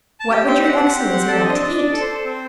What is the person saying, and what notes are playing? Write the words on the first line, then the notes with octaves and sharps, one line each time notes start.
"What would your excellency like to eat?"
A5
G4 G5
C4 G5
C4 F#5
C4
G4
C4
A4 D5
D4 D#5
D5
D4 D#5
D4 D5
A4
C5
A4
C4